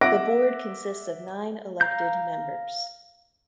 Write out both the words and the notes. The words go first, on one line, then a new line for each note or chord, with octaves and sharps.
The board consists of nine elected members.
E5 F#5 D6 F#6 A#6 D7
F5 A#5 G6